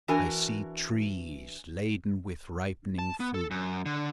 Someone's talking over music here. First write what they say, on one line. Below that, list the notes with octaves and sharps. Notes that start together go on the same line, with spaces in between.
I see trees laden with ripening fruit.
E3 D4 F#4 A#4 G#5
A5
B3
A4
F#2
D3